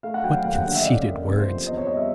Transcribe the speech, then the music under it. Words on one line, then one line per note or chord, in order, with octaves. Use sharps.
What conceited words!
A3 F5
F#5
F#3 G5
F5
D#2 G5
F#5
D3 F5
E5
D#5
C#4 D5
A#3
C3
C5
F3
E2 D#5
C#5
G3 D#5
E5